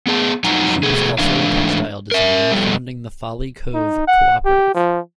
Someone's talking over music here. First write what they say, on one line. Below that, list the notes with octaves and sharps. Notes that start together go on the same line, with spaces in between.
She was also a textile designer, founding the Folly Cove cooperative.
B3 G#4 A5
F2 F#3 D#4 F#5 G#5 A#5
B2 A3 G#4
G#2 E3 A3 D4 F5
A#4 E5
F2 G3 A4
D#4
F#5
G4
F3